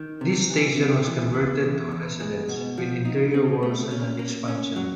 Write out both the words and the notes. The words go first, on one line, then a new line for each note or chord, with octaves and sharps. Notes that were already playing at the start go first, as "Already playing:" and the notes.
This station was converted to a residence, with interior walls and an expansion.
Already playing: D#3
C3
E3
C3
E3
B3
E2
E2
G#3
B2
F3
D#4
C4
A3
C#4
A#3
C#4
F#3